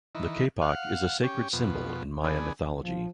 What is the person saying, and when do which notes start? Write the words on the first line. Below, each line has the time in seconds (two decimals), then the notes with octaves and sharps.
The kapok is a sacred symbol in Maya mythology.
0.15 D#3 E3
0.62 F5 F#5
1.23 C#4 G4
1.53 F2 B2
2.24 D3 B3 G#4
2.81 F3